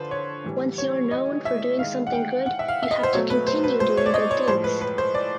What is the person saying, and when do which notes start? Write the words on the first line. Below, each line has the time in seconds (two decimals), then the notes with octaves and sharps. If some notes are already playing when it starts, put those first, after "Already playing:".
Once you’re known for doing something good you have to continue doing good things.
Already playing: D3 F3 B4 C5
0.11 C#5
0.44 A2 E3 G3
0.78 C#5
1.11 D#5
1.45 E5
1.79 D#3 G#3 F5
2.07 F#5
2.13 G5
2.46 F#5
2.59 E5
2.68 F5
2.83 E5
2.91 D#5
3.03 C5
3.13 B2 F#3 A3 C#5
3.30 B4
3.47 C5
3.64 B4
3.80 C5
3.97 C#5
4.06 D5
4.14 D#5
4.31 C#5
4.48 A2 F3 G#3 C5
4.64 B4
4.81 B4
4.98 C5
5.15 D5